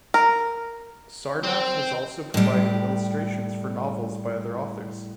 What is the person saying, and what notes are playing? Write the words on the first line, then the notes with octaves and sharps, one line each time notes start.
Sarnath has also provided illustrations for novels by other authors.
A#4
C4
A2 G3